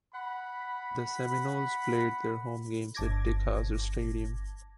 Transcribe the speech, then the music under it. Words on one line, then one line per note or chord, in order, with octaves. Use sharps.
The Seminoles played their home games at Dick Howser Stadium.
F#5 B5
G1 A5 D6 G#6 A#6